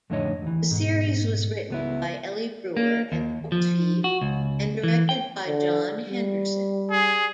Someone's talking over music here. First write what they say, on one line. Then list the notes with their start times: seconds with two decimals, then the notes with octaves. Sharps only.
The series was written by Elly Brewer and Toksvig, and directed by John Henderson.
0.10 F2 A2 D3 D#4 C#5 D#5
0.42 D#2 E3
0.71 G#2 B2
1.70 C#2 B3 E4
2.77 A#3
3.12 D#2
3.52 F3
4.04 F#4
4.21 C#2
4.84 E3
5.09 G5
5.47 D3
6.05 G3
6.91 G#4